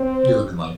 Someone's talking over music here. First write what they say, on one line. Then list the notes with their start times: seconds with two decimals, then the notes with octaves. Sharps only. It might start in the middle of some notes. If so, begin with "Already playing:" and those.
You're living life.
Already playing: C4 C5